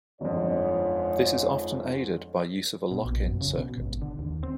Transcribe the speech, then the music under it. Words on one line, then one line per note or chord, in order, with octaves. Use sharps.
This is often aided by use of a lock-in circuit.
G1 F2 G#2 F4 C#5
B2
A#1
F#2
C#3
B2
G#1
D3
D#2
C4